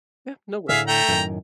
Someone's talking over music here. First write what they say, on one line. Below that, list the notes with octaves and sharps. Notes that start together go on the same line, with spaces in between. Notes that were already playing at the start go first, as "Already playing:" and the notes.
Yeah, no worries.
A2 D3 G#4 E5 F5
A3 G5 A#5
F#2 A2 D#3